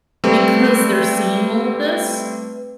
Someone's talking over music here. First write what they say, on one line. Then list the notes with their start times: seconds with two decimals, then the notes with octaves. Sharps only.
Because they're seeing all of this,
0.24 G3 A3 C4 B4